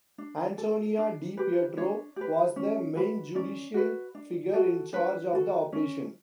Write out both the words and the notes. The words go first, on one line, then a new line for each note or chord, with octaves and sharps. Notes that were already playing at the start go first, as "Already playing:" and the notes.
Antonio Di Pietro was the main judicial figure in charge of the operation.
D4
A4
D4
G4 B4
D4 C#5
G4 B4
C#4
F#4 B4
C#4 D5
F#4 B4
D4
F#4 A4
D4 B4
F#4 A4
C#4